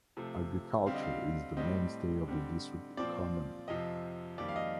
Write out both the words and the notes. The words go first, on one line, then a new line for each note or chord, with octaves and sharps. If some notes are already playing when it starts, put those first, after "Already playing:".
Agriculture is the mainstay of the district economy.
C3 F3 A3
D3 G3 C4 F5
D#5
F5
A2 G3 C4 D#5
D3 G3 C4
A#2 F3 C4 D5
F2 C3 F3 D#5
F2 D#3 G3 A#3 D5
F5
D#5